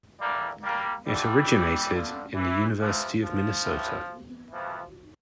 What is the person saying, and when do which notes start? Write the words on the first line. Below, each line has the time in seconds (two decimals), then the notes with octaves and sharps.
It originated in the University of Minnesota.
0.20 E2 D3 G3 A#3
0.63 G3 A#3
1.06 G2 D3 E3 G3
1.92 G2 D3
2.35 E3
2.78 F2 C3 E3 F3
3.22 F3
3.64 A2 E3
4.51 F2 E3 F3